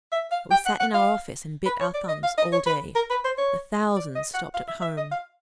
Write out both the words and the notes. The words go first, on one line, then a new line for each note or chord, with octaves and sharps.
But we sat in our office and bit our thumbs all day; the thousands stopped at home.
E5
F5
G5
F#5
F#5
F5
B4
C#5
D5
D#5
F5
D#5
C#5
B4
A#4
B4
C5
C#5
D5
D#5
F#5
F5
E5
E5
D#5
F5